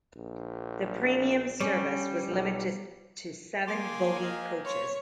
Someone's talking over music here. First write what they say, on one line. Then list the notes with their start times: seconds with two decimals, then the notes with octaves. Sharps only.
The premium service was limited to seven bogie coaches.
0.16 A#1
1.60 G3 C#4
2.29 B1
3.67 A#3 G4 G#4 G#5 C6 D6
4.22 D#5 F5
4.65 F4 C#5 C#6